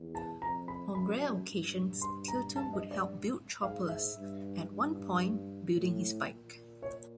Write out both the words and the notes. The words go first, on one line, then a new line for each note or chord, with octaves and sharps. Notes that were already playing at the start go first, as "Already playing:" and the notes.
On rare occasions, Teutul would help build choppers, at one point building his bike.
Already playing: E2
A5
F2 A#5
B5
F#2 B5
G2
C6
A#5
A5
D#5
D5
G#2 F5
E5
G2
G2
A2
A#2
C#5